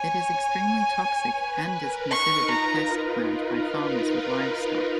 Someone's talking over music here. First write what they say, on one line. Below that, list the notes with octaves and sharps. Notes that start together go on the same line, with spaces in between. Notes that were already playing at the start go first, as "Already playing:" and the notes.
It is extremely toxic, and is considered a pest plant by farmers with livestock.
Already playing: C#5 G#5
B4
A#4
D#4 C#6
F4 A#5